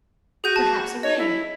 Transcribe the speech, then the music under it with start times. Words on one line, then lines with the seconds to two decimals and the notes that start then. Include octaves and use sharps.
Perhaps a raid!
0.44 F#4 G#4 G6 D#7
0.56 A5
1.03 C#5 D#5
1.18 E4